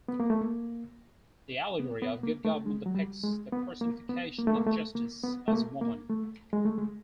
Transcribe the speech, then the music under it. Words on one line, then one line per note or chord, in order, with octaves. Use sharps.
The Allegory of Good Government depicts the personification of Justice as a woman.
B3
A#3
A3
A#3
B3
B3
A#3
A3
G#3
F#3
G3
G#3
B3
A#3
B3
A#3
A3
A#3
A3
A#3
B3
A3
A#3
A#3
A3
G#3
A3
G#3